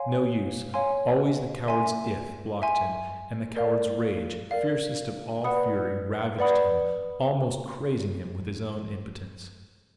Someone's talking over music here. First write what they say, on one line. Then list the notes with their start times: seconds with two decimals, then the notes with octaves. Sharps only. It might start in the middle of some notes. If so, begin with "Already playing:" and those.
No use; always the coward's "if" blocked him; and the coward's rage,--fiercest of all fury,--ravaged him, almost crazing him with his own impotence.
Already playing: C#5 F5 G#5 C6
0.74 C#5 F5 G#5 C6
1.68 E5 G#5 C6
2.62 E5 G#5 C6
3.56 A#4 D5 F5
4.51 A#4 D5 F5
5.44 B4 D5 F#5 B5 D#6
6.39 B4 D5 F#5 B5 D#6